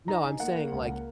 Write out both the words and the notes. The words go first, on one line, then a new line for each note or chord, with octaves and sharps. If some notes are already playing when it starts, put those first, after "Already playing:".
No, I'm saying, like,
D#4 A#5
D#4 G#5
A#3 F#5
A#3
C#2
A#3